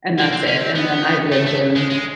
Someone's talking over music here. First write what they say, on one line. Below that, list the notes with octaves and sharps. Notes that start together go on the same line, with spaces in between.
And that's it, and then I've lived in
C3 A#3
C4
D3 C#4
C4
B3
D3 A3
A3
G#3
G#3